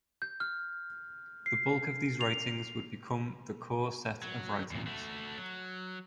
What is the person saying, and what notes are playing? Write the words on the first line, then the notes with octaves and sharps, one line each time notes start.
The bulk of these writings would become the "core set of writings".
G6
F6
C7
F7
F#3
E2 A#2
A3 F#4
F#3